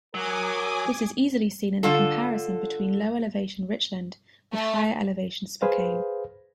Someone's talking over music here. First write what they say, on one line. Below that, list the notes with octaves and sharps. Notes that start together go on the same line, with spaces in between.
This is easily seen in the comparison between low-elevation Richland with higher elevation Spokane.
F#3 A#4 G#5 D6 D#6
D3 F4 A4
A3
G#4 B4 C5 F5